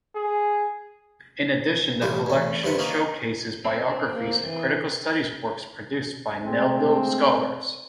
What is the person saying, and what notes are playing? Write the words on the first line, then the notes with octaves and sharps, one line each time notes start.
In addition, the collection showcases biographies and critical studies works produced by Melville scholars.
G#4
A1 G3 F4
E2 A3
G2 C3 C4 B4 F#5
D#3 A#3 C#4
C4
A#3
E3
G#3 A3 C4